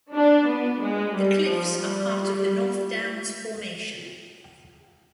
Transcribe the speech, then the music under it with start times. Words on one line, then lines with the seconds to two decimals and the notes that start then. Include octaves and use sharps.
The cliffs are part of the North Downs formation.
0.15 D4
0.49 B3
0.82 G#3
1.15 G3
1.48 F3
1.81 G3